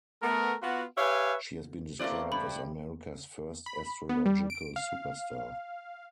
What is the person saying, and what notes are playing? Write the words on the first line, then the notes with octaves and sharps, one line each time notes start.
She has been described as "America's first astrological superstar".
A3 B3 A#4
B3 F4 F#4
G4 B4 C#5 E5 F5 G#5
A3 A#3 C4 E4 D5
G2 B5
B5
B3
G3
D7
F5